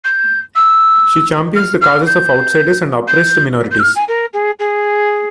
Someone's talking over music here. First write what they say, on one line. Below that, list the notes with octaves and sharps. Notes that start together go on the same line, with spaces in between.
She champions the causes of outsiders and oppressed minorities.
G6
E6
F6
F6
G6
G6
G6
E6
F6
G#5
A#4
G#4
G#4